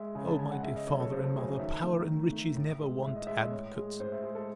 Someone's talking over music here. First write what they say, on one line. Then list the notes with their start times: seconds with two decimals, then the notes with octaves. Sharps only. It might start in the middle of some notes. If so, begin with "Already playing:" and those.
O my dear father and mother, power and riches never want advocates!
Already playing: G#3 E5
0.15 C#3 G#5
0.28 A5
0.39 G#3 G#5
0.51 F#5
0.63 C#3 E5
0.76 D#5
0.87 F#3 A3 C#5
1.00 A4
1.12 C#3 C5
1.24 A4
1.36 F#3 A3 G#4
1.47 C#5
1.59 D#3 E5
1.83 A3
2.07 D#3
2.31 A3
2.55 A2
2.79 G#3
3.03 A2 E5
3.15 D#5
3.27 G#3 E5
3.40 D#5
3.51 A2 C#5
3.76 G#3
4.00 A2 C5
4.12 E5
4.24 G#3
4.35 A4